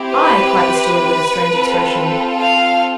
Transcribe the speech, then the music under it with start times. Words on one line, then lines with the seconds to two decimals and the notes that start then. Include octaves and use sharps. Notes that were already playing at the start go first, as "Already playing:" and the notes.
"I," cried the steward with a strange expression.
Already playing: C4 E4 G4
0.14 B4
1.49 C4 F4 A4
2.39 F5